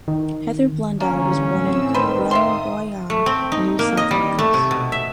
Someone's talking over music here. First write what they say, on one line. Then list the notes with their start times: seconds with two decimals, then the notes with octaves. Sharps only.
Heather Blundell was born in Queanbeyan, New South Wales.
0.08 D#3
1.01 D3 E3 G3 A#3 C#4
1.45 A2 C4 E6
1.94 D#3 B4 C5
2.31 E5 F5 C6 D#6
3.10 A3
3.26 C4
3.52 D#4
3.79 A#3
3.97 D#5
4.11 G3
4.39 A3
4.54 C3
4.71 B2
4.92 E5